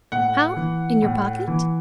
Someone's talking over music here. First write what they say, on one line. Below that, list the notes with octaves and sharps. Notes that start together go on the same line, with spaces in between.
"How--in your pocket?"
A2 F#5
E3
A2
E3